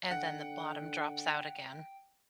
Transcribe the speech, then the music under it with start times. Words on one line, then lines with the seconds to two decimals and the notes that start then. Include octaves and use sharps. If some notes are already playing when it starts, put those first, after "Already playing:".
and then the bottom drops out again.
0.11 D3 F#5 G5